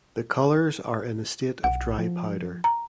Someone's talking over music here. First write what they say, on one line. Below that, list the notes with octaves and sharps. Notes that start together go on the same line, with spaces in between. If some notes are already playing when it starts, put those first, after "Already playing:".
The colours are in a state of dry powder.
B1 F#5
F3
A#5